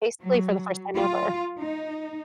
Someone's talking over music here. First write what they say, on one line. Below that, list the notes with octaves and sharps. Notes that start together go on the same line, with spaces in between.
basically, for the first time ever.
F#3
F4
D#4